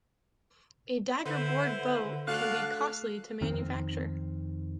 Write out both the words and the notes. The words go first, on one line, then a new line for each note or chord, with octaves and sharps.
A daggerboard boat can be costly to manufacture.
D3 E4 B4 C5
A3 D4 F#4 A4 F5 F#6
F2 D#3 C4